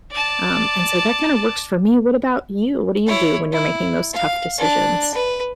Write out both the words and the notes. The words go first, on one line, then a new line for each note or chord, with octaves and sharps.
um, and so that kinda works for me. What about you? What do you do when you're making those tough decisions?
D5 A5
E4 C#5
E4
F5
D4 F#6
B4